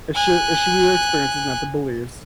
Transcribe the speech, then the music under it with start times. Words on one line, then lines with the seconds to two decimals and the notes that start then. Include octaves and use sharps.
it should it should be their experiences, not the beliefs,
0.15 G#5 F#6